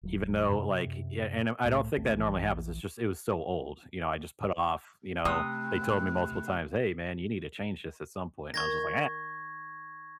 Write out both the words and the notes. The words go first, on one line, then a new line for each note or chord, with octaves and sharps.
even though, like yeah, and I I don't think that normally happens, it's just, it was so old, you know, I just put it off, you know they told me multiple times, "Hey man, you need to change this at some point," and I was just like,
D#1 F#3
F#2 C3
C2 A2 A3
A1 D2 A3 C4
A#1 E3
C3 A3 B5 D#6 F#6
D#3 C#6 G#6 A#6